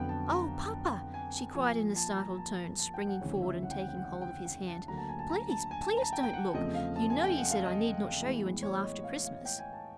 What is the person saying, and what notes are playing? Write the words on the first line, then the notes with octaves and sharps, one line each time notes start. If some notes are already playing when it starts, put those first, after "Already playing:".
"Oh! papa," she cried in a startled tone, springing forward and taking hold of his hand, "please, please don't look! you know you said I need not show you until after Christmas."
Already playing: F2 D3 F#3 B3 G5
A5
A#5
G#5
A#2 F3 A#3 G#5
A5
A#5
A5
A5
G5
F#5
D2 C#3 E3 G#3 C4 C#5
E5
F#5
G5
F#5
G5
F#5
G5
F#5
G5
F#5
G5
A5
D2 D3 F#3 A#3 A#5
A5
G#5
A5
A#5
A5
G#5
A5
A#5
A5
G5
G5
F#5
E2 C#3 F3 A3 C4 D#5
F5
A5
G#5
G5
F#5
F5
D#5
A2 E3 G#3 B3
C#5
D#5
F5
F5
G5
G#5
A5